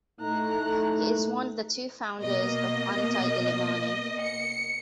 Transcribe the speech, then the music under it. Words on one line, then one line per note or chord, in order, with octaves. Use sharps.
He is one of the two founders of Inti-Illimani.
A2 A3 D#4 A#5 F#6
B2 A#3 D#5
C#7